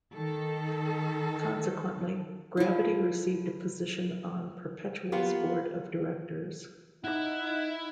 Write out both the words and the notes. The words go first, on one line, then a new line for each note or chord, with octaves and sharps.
Consequently, Gravity received a position on Perpetual's board of directors.
D#3 A4
F3 E4
A#3 B3 F4 G4
D#4 E4 F#5